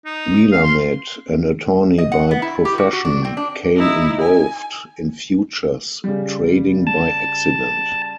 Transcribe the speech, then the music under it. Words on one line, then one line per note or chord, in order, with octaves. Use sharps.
Melamed, an attorney by profession, became involved in futures trading by accident.
D#4
F5
C6
D#5
F#5
B3
E4
G4
F#4
F#4
D4
C4
D4
D#4 E4
G#5
C#3 G3
A5